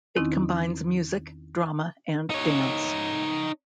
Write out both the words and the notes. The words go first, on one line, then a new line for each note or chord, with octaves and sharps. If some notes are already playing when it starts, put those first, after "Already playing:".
It combines music, drama, and dance.
E2 D#3 C4 C#4 D#4 E4
D#4 C#5